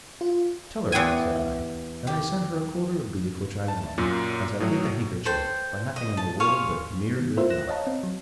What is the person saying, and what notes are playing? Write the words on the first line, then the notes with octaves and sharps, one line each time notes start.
"Tell her," said I, "that I send her a quarter of beef which I won, as I did the handkerchief, by nothing in the world but mere good luck."
F4
E2 E3 G4 G5 G#5
G4
A5
F#2 A#2
A2 F#3
A4 C5 G5
D#5
A5
G#4 C#5 F5 C6
D#3 B3
F4 A#4 C5 E5
F#6 A#6 E7
C#5 D#5 F5 A5 A#5
C4
F#3